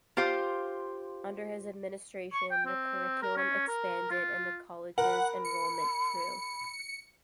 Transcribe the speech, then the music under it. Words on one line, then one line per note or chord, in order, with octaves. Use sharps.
Under his administration, the curriculum expanded and the college's enrollment grew.
F4 G4 C5 F5
C#6
G5
C4
A#4
C#4
A#4
F4
A#4 F#5 B5
C#7